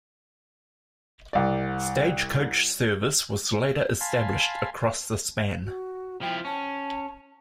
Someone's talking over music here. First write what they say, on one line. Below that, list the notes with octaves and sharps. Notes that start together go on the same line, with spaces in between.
Stagecoach service was later established across the span.
C2 D5
F5 G#5 A5 B5 C6
F#4
F3 E4 F4 G5
C#4 A5